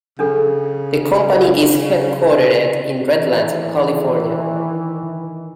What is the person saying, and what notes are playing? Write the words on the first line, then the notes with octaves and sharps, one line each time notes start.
The company is headquartered in Redlands, California.
C#3 C#4 D4 A4
D#3 E3